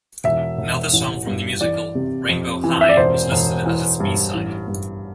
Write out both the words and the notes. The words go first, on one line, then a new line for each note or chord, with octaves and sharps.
Another song from the musical, "Rainbow High", was listed as its B-side.
E1 E5
E1
A1
G2
E3 D5
C3
F2
E3
E5
D5
E1 C5
E1
E3
G2
A1
G2